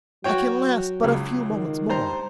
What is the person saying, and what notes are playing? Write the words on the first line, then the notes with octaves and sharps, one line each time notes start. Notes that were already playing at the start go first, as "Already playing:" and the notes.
I can last but a few moments more.
F#3 F#4 C#5 G5
C#2 C#3
D#3
G2 C5 A#5